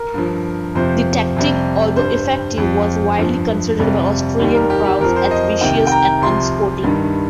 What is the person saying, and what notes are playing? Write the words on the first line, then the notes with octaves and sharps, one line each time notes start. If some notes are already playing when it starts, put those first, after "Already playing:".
The tactic, although effective, was widely considered by Australian crowds as vicious and unsporting.
Already playing: A#4
G2 F3
F2 C3 F3 C5
F2 C3 G3
G2 G3 C5
F2 F3
G2 F3
F2 C3 G3
D#2 D#3 G3 G4
A#4
G4
G4
F2 F3 A#4
C5
D#5
C2 C3 D#3 G5
G5
A#5
C2 C3 F3 C6
G2 D#3 G3